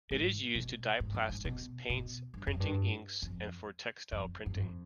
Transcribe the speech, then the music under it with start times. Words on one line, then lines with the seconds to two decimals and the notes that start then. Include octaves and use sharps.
It is used to dye plastics, paints, printing inks, and for textile printing.
0.11 G#2
0.55 B2
1.00 G#2
1.14 G2
1.29 G#2
1.45 B2
1.90 B2
2.34 G2
2.47 F2
2.60 G2
3.22 F2
4.12 F2
4.46 G2
4.56 F2